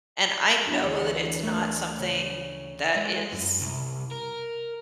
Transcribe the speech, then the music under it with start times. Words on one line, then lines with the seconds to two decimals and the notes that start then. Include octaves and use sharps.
and I know that it's not something that is
0.66 B3 D4 E4
0.82 D2 E3 E4 C#5 F#5
1.43 A3 A#4
1.99 C#3
2.96 G#3
3.32 F#2
3.61 C2
4.11 A#4